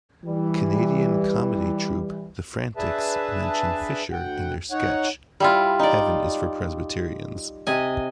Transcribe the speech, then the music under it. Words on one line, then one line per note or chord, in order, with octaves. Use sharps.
Canadian comedy troupe The Frantics mention Fisher in their sketch, "Heaven is for Presbyterians".
E3 G3
D4 G#4 B4 E5 A5
D2 F#5 G5
D#4 C#5 F#5
G3 E4 F4
D#4 D5
C3 D#5 G#5